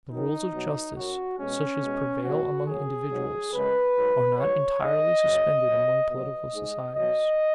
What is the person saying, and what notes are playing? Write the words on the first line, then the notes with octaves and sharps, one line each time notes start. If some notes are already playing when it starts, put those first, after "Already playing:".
The rules of justice, such as prevail among individuals, are not entirely suspended among political societies.
F#2 D#3 F#3 D#4
B2 F#3
F#2 F#3 F#4
B2 G#3 C#4
B2 G#3
B2 F#3 F#4
F#2 F#3 G#4
G#2 F#3
F#2 C#3 G#3 B4
G#2 F#3
G#2 F#3 C#5
G#2 G#3 D#5
F#2 C#3 F#3
B2 F#3
B2 F#3 D#5
G#2 G#3
B2 F#3 D#5